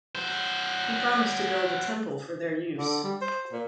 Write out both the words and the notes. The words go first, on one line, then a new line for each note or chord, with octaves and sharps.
He promised to build a temple for their use.
F#3 C5
D3
G3
C5
A#2